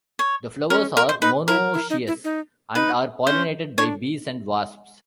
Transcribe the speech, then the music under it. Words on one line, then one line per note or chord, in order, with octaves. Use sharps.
The flowers are monoecious and are pollinated by bees and wasps.
C#5
C#4 A#4
A#4
C5
D#4 B4
E4 A#4
E4
D#4
E4
D#4
D#4 B4
C#4 C5
D4 C#5